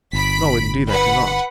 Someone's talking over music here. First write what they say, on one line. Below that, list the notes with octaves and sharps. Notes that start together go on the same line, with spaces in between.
"No, indeed, I cannot."
G1 B5 B6 D7
B4 F#5 B5